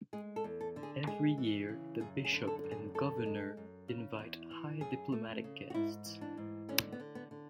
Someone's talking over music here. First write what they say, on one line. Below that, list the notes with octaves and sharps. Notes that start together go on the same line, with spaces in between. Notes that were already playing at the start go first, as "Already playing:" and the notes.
Every year the bishop and gouverneur invite high diplomatic guests.
G#3 G#4
A4
E2
A4
D3
G#4
G#3 G#4
E3
C#3
F#2 G#4
G#4
D3
A4
F#2
G#4
D3 A4
G#3
F#2
C#3
E2
E3
F#2 G#4
A3
C#3
F#4
G#2 E4
E3
D4
G#2
D3 C#4
B3
D3
B3
D3